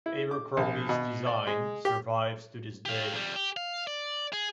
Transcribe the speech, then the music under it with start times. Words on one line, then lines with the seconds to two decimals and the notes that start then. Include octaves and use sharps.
Abercrombies design survives to this day.
0.06 E4
0.31 D6
0.57 A#1
0.89 B2
1.26 D5
1.47 G#3
1.85 G4
2.85 G4 F5
3.13 F2 G3
3.36 G4
3.57 F5
3.87 D5
4.33 G#4